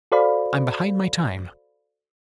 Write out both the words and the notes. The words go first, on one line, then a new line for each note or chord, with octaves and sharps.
"I am behind my time."
F#4 A4 C5 D5 F5 B5